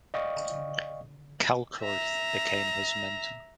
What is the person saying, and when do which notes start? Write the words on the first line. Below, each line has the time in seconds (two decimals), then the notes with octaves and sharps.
Kalckreuth became his mentor.
0.14 D5 D#5 F5 G5 C#6 D#6
1.81 E5 A#5